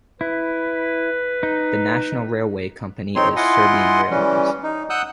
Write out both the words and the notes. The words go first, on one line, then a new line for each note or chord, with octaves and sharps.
The national railway company is Serbian Railways.
E4 B4
D#4
F2 C4 D#4 C#5 C6
E4 F4 D#5 F#5 G#5 C6
E3 G3 C#4
D#4
F#5 D#6 E6 F#6 G6